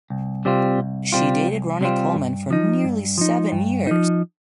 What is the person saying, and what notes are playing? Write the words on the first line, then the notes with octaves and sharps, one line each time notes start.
She dated Ronnie Coleman for nearly seven years.
C2
C3 G3 C4 F4
C2
C3 G3 C4 F4
C2
C3 G3 C4 F4
G2
F3 D#4
G2
F3 D#4
G2
F3 D#4